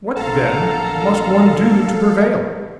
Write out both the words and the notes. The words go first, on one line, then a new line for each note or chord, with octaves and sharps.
"What, then, must one do, to prevail?"
A#1 B3 A4 F5 F#5 A5 A#5